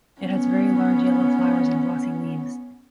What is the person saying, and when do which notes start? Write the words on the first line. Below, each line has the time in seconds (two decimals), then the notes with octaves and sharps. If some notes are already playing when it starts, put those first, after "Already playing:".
It has very large yellow flowers and glossy leaves.
0.21 B3 C#4